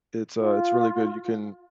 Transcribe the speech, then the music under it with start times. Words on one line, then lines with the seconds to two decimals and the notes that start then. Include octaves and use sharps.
it's, uh it's really good. You can
0.37 F4